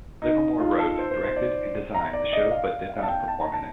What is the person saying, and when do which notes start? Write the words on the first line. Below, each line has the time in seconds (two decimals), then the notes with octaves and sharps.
Livermore wrote, directed and designed the show but did not perform in it.
0.22 D#4
0.60 F4
0.79 A4
0.98 C5
1.11 C5
1.24 C5
1.36 D5
1.94 A#5
2.13 D5
2.33 D#5
2.51 F5
2.89 F5
3.03 A5
3.08 G5
3.28 A5
3.41 A#5
3.53 A5